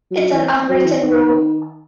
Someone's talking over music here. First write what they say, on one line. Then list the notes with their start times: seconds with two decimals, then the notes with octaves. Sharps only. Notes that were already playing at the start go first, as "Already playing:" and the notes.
It's an unwritten rule.
0.11 F#3
0.31 E3
0.69 F#3
0.84 E3
1.02 D#3